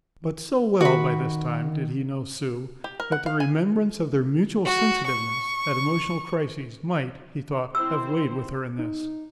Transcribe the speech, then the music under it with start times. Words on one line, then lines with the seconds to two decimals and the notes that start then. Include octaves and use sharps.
But so well by this time did he know Sue that the remembrance of their mutual sensitiveness at emotional crises might, he thought, have weighed with her in this.
0.81 D#3 F#4 B5
2.84 G4
3.00 A#4
3.12 F#5
3.26 F5
3.40 G#5
4.65 F#4
5.06 C#6
7.75 C4 E4 C5 E6
8.78 D#4